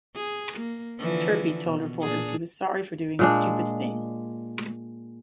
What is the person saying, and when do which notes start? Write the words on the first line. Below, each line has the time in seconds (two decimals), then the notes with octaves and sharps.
Turpie told reporters he was sorry for doing a "stupid thing".
0.16 G#4
0.58 A#3
0.99 D3 E3 F3
1.65 B2
2.02 A#2 D4 G#4
3.19 A#2 G#3 D4